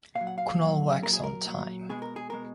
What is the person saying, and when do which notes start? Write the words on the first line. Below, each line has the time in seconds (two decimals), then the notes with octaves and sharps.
Kunal works on time.
0.15 A#2 F5
0.21 F#3
0.27 F#5
0.38 F5
0.59 A#2 F#3
1.03 A#2 F#3 A#4
1.13 G#4
1.24 A#4
1.45 A#2 F#3
1.89 B2 G#3 G#4
2.02 A#4
2.16 G#4
2.30 B2 G#3 A#4